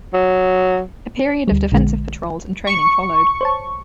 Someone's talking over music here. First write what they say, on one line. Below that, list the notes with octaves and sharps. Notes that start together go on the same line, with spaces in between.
A period of defensive patrols and training followed.
F#3
D2 G3
A#1 D3 G#3
C#6
C5 C#5 A5